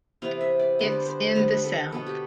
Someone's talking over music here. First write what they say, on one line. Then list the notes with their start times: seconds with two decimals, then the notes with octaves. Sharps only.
It's in the south!
0.22 C3 E3 B3 F5
0.41 E5
0.59 D5
0.79 D3 G3 B3 C5
0.92 D5
1.06 C5
1.35 D3 G3 B3 B4
1.64 A4
1.92 B2 B3 A4
2.06 G4